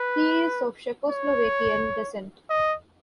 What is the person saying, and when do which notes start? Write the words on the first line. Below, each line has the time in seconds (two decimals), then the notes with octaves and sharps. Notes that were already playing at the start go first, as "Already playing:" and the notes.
He is of Czechoslovakian descent.
Already playing: B4
1.10 C#5
2.50 D#5